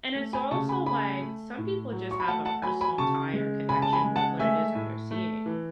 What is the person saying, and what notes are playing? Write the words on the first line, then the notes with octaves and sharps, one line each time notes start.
and it's also, like, some people just have a personal tie or connection with what it is that they're seeing,
A3
G#5 B5
C#3 A5 C#6
G#5 B5
A3 G#5 B5
A3
A2
F#3
C#6
B5
A3 F#5 A5
F#5 A5
F#3 G#5 B5
G#5 B5
C#3 A5 C#6
G#3
C#3 G#5 B5
A5
G#5 B5
G#3
F#5 A5
A3 E5 G#5
A2
A3
E3